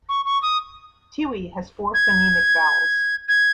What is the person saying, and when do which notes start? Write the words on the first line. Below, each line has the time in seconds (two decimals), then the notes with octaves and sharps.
Tiwi has four phonemic vowels.
0.09 C#6
0.25 C#6
0.42 D#6
1.94 G#6
3.28 G#6